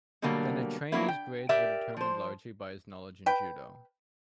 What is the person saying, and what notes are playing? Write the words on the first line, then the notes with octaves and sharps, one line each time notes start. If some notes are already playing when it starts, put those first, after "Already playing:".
Then a trainee's grades were determined largely by his knowledge in judo.
B2 D3 F#3 G3 A#3
F#3 A#3 B3 D4 E4
G5
G4 A#4 D5 E5 G5
F3 C5
B4 G5